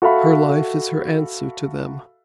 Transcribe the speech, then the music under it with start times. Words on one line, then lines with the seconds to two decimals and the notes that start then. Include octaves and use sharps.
Her life is her answer to them.
0.02 F#4 A4 E5 F5 B5